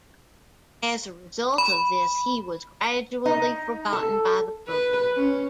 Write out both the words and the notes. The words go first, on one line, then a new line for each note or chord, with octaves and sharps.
As a result of this he was gradually forgotten by the public.
B5
D#4
A4
B4
C#4